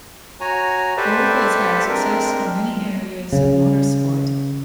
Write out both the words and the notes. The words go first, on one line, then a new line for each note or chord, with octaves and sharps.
Oreca has had success in many areas of motorsport.
F#4 C#5 G#5 A#5
G4 A4 B4 C5 D5 E5
G#3 C4 D4 A#4
C#3